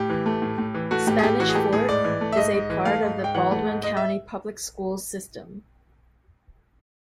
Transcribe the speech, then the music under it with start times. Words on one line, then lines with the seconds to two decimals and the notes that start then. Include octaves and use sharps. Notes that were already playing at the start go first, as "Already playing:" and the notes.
Spanish Fort is a part of the Baldwin County Public Schools system.
Already playing: A2 G4
0.10 E3
0.26 A3
0.42 A2
0.58 A2
0.75 E3
0.91 A3 F#4
1.07 A2 G4
1.19 G#4
1.23 A2 G4
1.40 E3 F#4
1.49 G#4
1.55 A3 G4
1.73 A2 G#4
1.89 G#2 D5
2.04 E3
2.21 A3
2.32 E5
2.37 G#2 D#5
2.53 G#2
2.70 E3
2.85 A3 F5
3.03 G#2
3.18 G#2
3.24 G5
3.35 E3 F#5
3.51 A3
3.67 G#2
3.83 G#3 D#5
3.97 E5